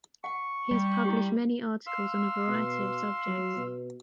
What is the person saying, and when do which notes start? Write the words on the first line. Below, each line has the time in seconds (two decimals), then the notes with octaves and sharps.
He has published many articles on a variety of subjects.
0.24 F#5 C#6
0.71 G3
1.05 E4 G4
1.86 F5 C6 E6
2.48 B2
3.27 F#3
3.57 B2